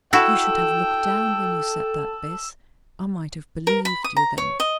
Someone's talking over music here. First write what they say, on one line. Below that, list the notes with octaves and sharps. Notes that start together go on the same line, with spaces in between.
You should have looked down when you said that, Bess; I might have believed you then.
E4 F#4 A4 G5 E6 E7
A#4
B5
D#6
A#5
C#5
D#5